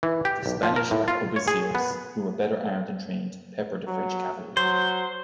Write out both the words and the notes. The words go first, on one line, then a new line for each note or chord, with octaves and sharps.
The Spanish arquebusiers, who were better armed and trained, peppered the French cavalry.
E3
G4
B1
F3
A#4
A2
F4
C#5
G#4
B3
F#3
F#3 C5